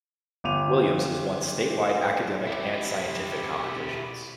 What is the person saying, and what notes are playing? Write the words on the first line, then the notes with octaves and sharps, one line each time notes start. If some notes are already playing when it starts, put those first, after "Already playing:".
Williams has won statewide academic and scientific competitions.
G1 D6 D#7 F7
E4 G4